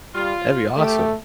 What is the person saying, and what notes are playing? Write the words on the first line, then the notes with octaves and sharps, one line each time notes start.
That'd be awesome.
G3 F4
A3 G4